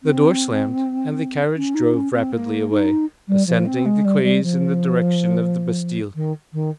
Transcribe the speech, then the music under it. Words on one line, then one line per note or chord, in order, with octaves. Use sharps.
The door slammed, and the carriage drove rapidly away, ascending the quays in the direction of the Bastille.
C4
C#4
D#4
C#4
C4
A#3
D#4
G3
F3
C4
G#3
G3
G3
F3
D#3
D#3